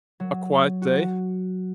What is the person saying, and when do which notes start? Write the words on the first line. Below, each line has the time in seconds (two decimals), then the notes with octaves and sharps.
A quiet day.
0.20 F#3
0.82 F#4